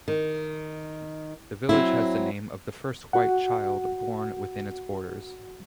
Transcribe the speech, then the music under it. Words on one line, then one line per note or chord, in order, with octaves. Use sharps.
The village has the name of the first white child born within its borders.
D#3
F#3 C4 E4
F#4 F#5